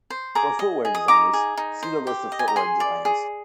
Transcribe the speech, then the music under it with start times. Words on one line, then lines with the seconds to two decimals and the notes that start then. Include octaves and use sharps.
For footwear designers, see the list of footwear designers.
0.10 C5
0.35 G#4 A#5 D6
0.59 D#5
0.85 G#4
0.95 D#6
1.08 D#4 A#5 D6
1.33 G#4
1.57 D#4
1.83 C5
2.07 G4
2.32 D#5
2.39 G#5
2.48 A#5
2.56 G#4 G#5 C6
2.80 D5
3.05 G#4